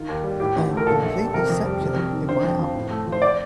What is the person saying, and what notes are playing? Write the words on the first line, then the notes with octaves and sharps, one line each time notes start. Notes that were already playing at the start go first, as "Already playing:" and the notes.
I am completely secular in my outlook.
Already playing: D#3 F4
D#2
G3
A2 G4
A1
A3
A#4
A#2 A4
A#1
G3
C3 A#4
F2
G3
C3
F2
D#3
D3 C5
F2
F3
A2
A3
F3
C5
D5